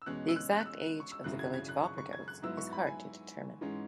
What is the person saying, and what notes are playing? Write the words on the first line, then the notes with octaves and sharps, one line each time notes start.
The exact age of the village of Opperdoes is hard to determine.
E6
E2 B2 G#3 C#4 F#6
E6
F#6
F#6
E6
C#6
E6
G#1 F#2 C#3 F#3 E4 F#6
G#6
G#6
F#6
C#6
C#6
G#6
F#6
G#2 F#3 B3 E4 E6
C#6
B5
G#5
G#2 E3 G#3 C#4